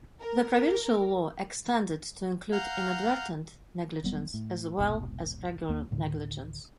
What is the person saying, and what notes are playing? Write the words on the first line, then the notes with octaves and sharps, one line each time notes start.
The provincial law extended to include "inadvertent negligence" as well as regular negligence.
A#4
F5 F#5 A#5 F6 G6
E1 F#3 G3 B3
A2
F1 C2 G#2 B2
D#2 A#3
D2 A2 D3 D#3